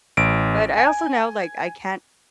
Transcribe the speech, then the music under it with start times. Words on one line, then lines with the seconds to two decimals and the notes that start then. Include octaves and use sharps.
but I also know, like, I can't
0.17 A1 D7
0.78 G#5